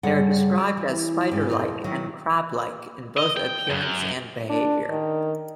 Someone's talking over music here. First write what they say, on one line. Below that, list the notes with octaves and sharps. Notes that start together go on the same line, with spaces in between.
They are described as "spider-like" and "crab-like", in both appearance and behavior.
G2 C#3 G3 G#4 A4 F#5
D5
E3
G#2 C#4 G4
F2 B2 A3 C4
D#3 F#3 E4
D#5
G5
F#2
D4
D#3